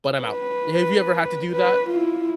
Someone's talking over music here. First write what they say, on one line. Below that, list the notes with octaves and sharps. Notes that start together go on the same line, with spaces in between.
but I'm out." Have you ever had to do that?
B4
B4
E4 F4